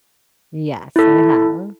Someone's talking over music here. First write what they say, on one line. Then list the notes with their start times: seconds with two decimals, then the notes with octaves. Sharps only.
Yes, I have.
0.96 E4 A4